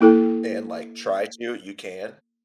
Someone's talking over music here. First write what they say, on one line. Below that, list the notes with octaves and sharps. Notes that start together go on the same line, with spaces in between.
and, like, try to, you can,
A#3 E4 A4 G5